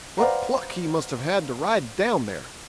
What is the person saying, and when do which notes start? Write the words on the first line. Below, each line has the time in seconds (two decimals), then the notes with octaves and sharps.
What pluck he must have had to ride down there!'
0.18 B4 C5 D5 F5 F#5 A#5